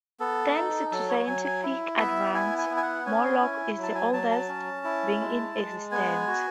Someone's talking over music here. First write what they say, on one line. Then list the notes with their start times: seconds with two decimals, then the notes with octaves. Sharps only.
Thanks to scientific advances, Morlock is the oldest being in existence.
0.20 B3 A4
0.56 D#4
0.92 F#3 A4
1.09 C#5
1.27 F#3 G#5
1.45 G#5
1.63 E4
1.99 B3 E5
2.34 E4 G#5
2.58 G#5
2.70 B3
2.77 G#5
2.82 F#5
3.06 C#4 G#5
3.42 E4
3.77 F#3
3.83 A5
3.95 G#5
4.13 F#3 A5
4.31 A5
4.48 C#4
4.85 E4
5.20 G#3
5.56 G#3
5.91 B3 G#5
6.27 F#4